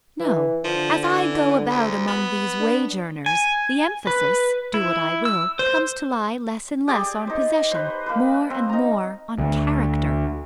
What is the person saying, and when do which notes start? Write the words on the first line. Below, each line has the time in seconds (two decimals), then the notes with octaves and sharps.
No!--as I go about among these wage-earners, the emphasis--do what I will--comes to lie less and less on possession--more and more on character.
0.20 E3
0.64 D3 F3
1.03 E3
1.70 D2
2.07 B3
2.60 D4
3.26 G#5
4.07 B4
4.74 E4
5.25 E6
5.59 C5
6.88 G4 G#4 D5
7.27 D#4 C5
7.71 B4 C5
8.06 A#3 B4
8.50 C4
8.69 D#4 A#5
9.38 D2